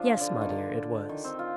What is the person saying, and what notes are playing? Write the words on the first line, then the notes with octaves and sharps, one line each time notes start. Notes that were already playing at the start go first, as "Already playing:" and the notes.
'Yes, my dear, it was.'
Already playing: F3 D4 F4
D3
D#3
D3
D#3
C4
F4